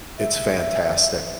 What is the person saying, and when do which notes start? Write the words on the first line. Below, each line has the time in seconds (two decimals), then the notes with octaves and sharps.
It's fantastic.
0.19 E5